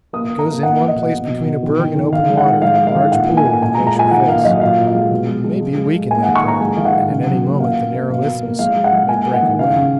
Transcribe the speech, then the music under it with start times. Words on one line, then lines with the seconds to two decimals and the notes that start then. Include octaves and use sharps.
It goes in one place between a berg in open water and a large pool of the glacier face--it may be weak in that part, and at any moment the narrow isthmus may break away.
0.13 A#3 D#6
0.30 A#3
0.39 A#5
0.47 A#3
0.63 A#3 F#5
0.80 A#3
0.88 D#5
0.96 B2
1.13 B2
1.30 B2
1.46 B2
1.63 D#3
1.79 D#3
1.96 D#3
2.13 D#3 F5
2.29 G#3
2.37 F#5
2.46 D#3
2.62 G#3 F5
2.79 G#3
2.87 F5
2.96 D#3
3.12 A#2 F#5
3.29 A#3
3.37 G#5
3.45 A#3
3.62 A#2 G#5
3.74 A#5
3.79 G#3
3.87 A#5
3.95 A#2 G#5
4.11 D#3 F#5
4.28 A#3 F5
4.45 F#3 D#5
4.61 A#2 F5
4.78 A#2
4.86 F5
4.95 G#3
5.11 B2
5.27 G#3
5.44 G#3
5.61 G#3
5.77 G#3
5.95 G#3
6.11 A#3 G#5
6.23 D#3 F#5
6.36 C#6
6.44 A#3 A#5
6.60 G#3 G#5
6.77 D#3 F5
6.85 F#5
6.94 D#3
7.10 C#3
7.27 F#3
7.43 A#3
7.60 A#3 F5
7.76 A#3
7.93 A#3
8.10 B2 F5
8.26 B2
8.43 A#3
8.59 G#3 F5
8.76 G#3
8.84 F#5
8.93 G#3
9.09 A#3 G#5
9.26 A#3
9.34 F#5
9.42 D#3
9.59 C#3 F5
9.76 C#3